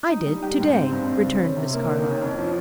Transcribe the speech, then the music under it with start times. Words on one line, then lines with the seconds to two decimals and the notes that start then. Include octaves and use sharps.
"I did to-day," returned Miss Carlyle.
0.09 D#4
0.26 G3
0.43 G4
0.59 G#2
0.75 C4
0.91 G2
1.08 C4
1.24 C#3
1.40 C#4
1.57 C3
1.73 A#3
1.89 D#3
2.05 C#4
2.22 F2
2.38 F3